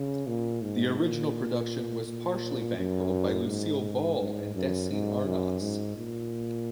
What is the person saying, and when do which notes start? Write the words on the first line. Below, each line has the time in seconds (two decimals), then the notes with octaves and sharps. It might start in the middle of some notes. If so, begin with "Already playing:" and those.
The original production was partially bankrolled by Lucille Ball and Desi Arnaz.
Already playing: C#3
0.27 A#2
0.62 G#2
0.99 A#2
2.05 A#2
2.77 F#2
3.48 G#2
4.19 G#2
4.55 F#2
4.90 G#2
5.26 F#2
5.62 G#2
5.97 A#2